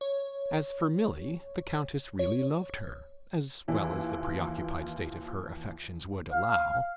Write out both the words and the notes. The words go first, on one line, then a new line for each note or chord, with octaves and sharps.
As for Milly, the Countess really loved her as well as the preoccupied state of her affections would allow.
C#5
C#5
D#2 E3 F4
F5